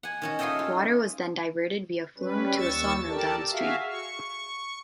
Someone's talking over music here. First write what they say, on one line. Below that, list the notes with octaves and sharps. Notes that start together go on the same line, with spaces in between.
Water was then diverted via flume to a sawmill downstream.
F#5 G#5
D#3 C#4 F#4
F4 G#4 A4 D#5 E5 G5
F4
G3 C#4 B4
D#2 C#6 E6 A6
G4 A4 A#4 D5 A5
F#4 G#4 E5 F5
C#6